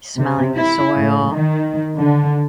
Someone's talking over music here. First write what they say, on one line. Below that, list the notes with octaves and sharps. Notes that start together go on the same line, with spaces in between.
smelling the soil,
C3
E4
A2
D#3
D3